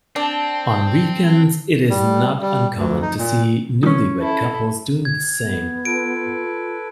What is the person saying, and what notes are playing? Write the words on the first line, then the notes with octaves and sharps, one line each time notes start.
On weekends it is not uncommon to see newlywed couples doing the same.
C4 D4 A5
G3
G3
D2
D#4
A#2
C#4 D#4
E4 A4
G#6
B3
F4 A4 B4 D7